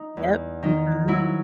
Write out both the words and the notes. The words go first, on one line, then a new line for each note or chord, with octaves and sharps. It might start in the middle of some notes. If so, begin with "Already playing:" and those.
Yep. Mhm.
Already playing: D#4
E2
D#3 D#4
F#3 E4